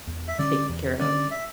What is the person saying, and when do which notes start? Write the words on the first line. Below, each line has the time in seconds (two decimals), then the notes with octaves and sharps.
it's taken care of."
0.07 E2
0.28 E5
0.38 D3 G3 C#4 D5
0.69 E2
0.99 D3 G3 C#4 D5
1.31 E5